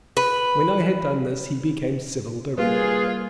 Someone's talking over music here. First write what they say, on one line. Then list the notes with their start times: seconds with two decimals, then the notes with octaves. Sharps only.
When I had done this he became civil directly.
0.17 B4
2.58 G3 A#3 F4 G#4 B4